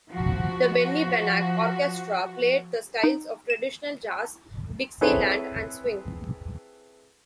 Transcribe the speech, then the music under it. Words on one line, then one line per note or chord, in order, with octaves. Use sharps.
The Benny Benack Orchestra played the styles of traditional jazz, dixieland, and swing.
F3 F#4
D#4
E7
C4 E4 G#4 A4 B4 C#5